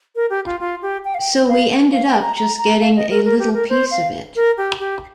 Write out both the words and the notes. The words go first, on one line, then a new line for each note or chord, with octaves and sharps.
So we ended up just getting a little piece of it.
A#4
G4
F4
F4
G4
G5
F5
G5
F5
F5
G5
A#5
A#5
A#5
F5
D#5
A#4
A#4
G4
A#4
C5
F5
A#4
G4
G4